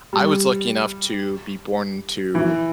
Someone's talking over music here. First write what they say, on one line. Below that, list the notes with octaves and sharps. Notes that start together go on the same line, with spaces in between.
I was lucky enough to be born to
G3
E3